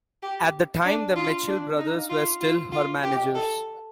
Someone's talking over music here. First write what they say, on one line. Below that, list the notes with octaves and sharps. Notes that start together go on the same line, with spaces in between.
At the time the Mitchell Brothers were still her managers.
G4
D4
F4
D4
D#4
F4
F4
F4
G4
A4